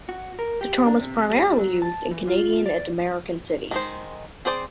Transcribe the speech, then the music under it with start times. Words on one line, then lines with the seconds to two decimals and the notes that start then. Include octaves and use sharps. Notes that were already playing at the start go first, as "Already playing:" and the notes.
The term is primarily used in Canadian and American cities.
0.09 F#4
0.39 A#4
0.61 G4
0.86 D4
1.00 C3
1.30 G3
1.58 F#3
1.82 A5
2.11 E3
2.27 F4
2.66 D5
3.71 D#3 G#3 C5
4.45 C4 G#4 C5 D5